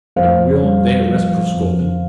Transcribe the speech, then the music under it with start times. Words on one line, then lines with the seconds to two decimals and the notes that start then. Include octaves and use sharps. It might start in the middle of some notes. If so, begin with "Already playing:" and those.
"And will they arrest Prascovie?"
0.16 F2 C5 F5
0.62 G3
1.08 F3
1.53 F2